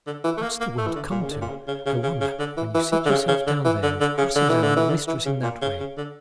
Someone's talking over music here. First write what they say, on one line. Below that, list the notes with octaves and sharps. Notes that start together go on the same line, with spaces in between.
What's the world come to, I wonder, when you sit yourself down there, and cross-examine your mistress in that way!
D3
E3
A3
A#3
A#3
A3
E3
D3
A#2
C#3
D3
A#2
C#3
C#3
C#3
C#3
C#3
D3
E3
E3
E3
D3
C#3
C#3
D3
E3
D3
D3
C#3
D3
E3
D3
E3
D3
E3
C#3
A#2
C#3
C#3
D3